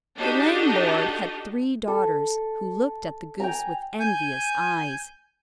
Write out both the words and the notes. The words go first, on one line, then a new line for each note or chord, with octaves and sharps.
The landlord had three daughters, who looked at the goose with envious eyes.
D4 D#4 F#4 G4 A4 D#5
A4
G5 G#5 A#5
G#5 G6